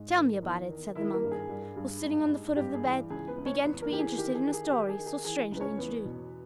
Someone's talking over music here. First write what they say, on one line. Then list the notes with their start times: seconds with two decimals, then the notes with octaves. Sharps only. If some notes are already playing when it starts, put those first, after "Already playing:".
"Tell me about it," said the monk, who, sitting on the foot of the bed, began to be interested in a story so strangely introduced.
Already playing: G#2
0.16 D#3
0.42 E2
0.69 D#3
0.95 D#3 E4 E5
1.13 A#3 A#4
1.23 G2
1.32 G#4
1.49 G2
1.76 G2
2.03 G#2
2.30 G#2
2.56 G2 G4
2.74 G#4
2.84 E3
3.10 C#2 G#4
3.28 B3 B4
3.37 C#2
3.45 C#4 C#5
3.63 E2 B3 B4
3.82 A#3 A#4
3.90 E3 G4
3.99 G#4
4.17 D#3 G4
4.35 G#4
4.44 D#3 G4
4.53 G#4
4.71 D#3 G4
4.89 G#4
4.98 D#3
5.06 G#4
5.24 E3 G#4
5.52 C#2 B4
5.61 C#4 C#5
5.78 E2 B3 B4
6.05 B2